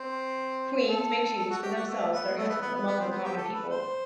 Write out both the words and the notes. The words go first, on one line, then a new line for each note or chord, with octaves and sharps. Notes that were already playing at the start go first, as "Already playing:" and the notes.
Queens may choose for themselves their husband among the common people.
Already playing: C4
A4
A4
F#4
G4
F#4
A3
B3
A3
B3
B3
B3
B3
C4
B3
G4
A4
B4
C5